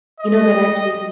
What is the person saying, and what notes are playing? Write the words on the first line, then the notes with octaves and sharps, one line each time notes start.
you know, that actually
D#5